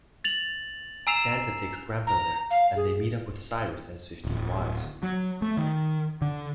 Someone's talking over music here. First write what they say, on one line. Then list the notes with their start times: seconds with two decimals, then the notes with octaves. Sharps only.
Santa takes Grampa there, and they meet up with Cyrus and his fifteen wives.
0.24 A6 F7 F#7
1.07 G#5 A#5 E6 C7 E7 F7
2.07 A#5
2.51 F5
2.76 G#4
4.25 D1
5.03 F#3
5.42 A3
5.57 D#3
6.22 D3